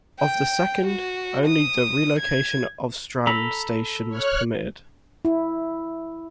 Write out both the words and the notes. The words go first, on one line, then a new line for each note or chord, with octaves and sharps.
Of the second, only the relocation of Strand station was permitted.
G5
F#4
D#6
G#6
A4 A#5 B5
C#5 F6 F#6
E4